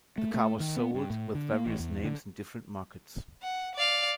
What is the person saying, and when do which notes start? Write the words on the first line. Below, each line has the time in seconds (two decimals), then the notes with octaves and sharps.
The car was sold with various names in different markets.
0.18 A3
0.34 A3
0.60 D#3
0.77 B3
0.94 G2
1.10 A2
1.35 D3
1.52 A#3
1.66 A1
1.79 E2
2.04 D3
3.42 F#5
3.75 D5 F5